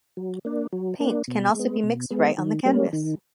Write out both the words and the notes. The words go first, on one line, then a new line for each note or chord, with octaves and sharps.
Paint can also be mixed right on the canvas.
F#3
A#3 D4
F#3
A#3 D4
B2
G#3 B3
B2
G#3 B3
D#3
G3 A#3 C#4
D#3